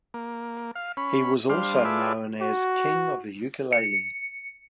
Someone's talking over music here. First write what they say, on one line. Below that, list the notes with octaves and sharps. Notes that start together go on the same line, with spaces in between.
He was also known as "King of the Ukulele".
A#3
F5
C#4 B5
G3 D4 C5 F5
F4 G#4 A4 B4 D5 E5
F#4
C#7